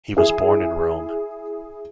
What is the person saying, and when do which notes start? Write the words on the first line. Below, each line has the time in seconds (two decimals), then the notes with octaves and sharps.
He was born in Rome.
0.17 E4 G#4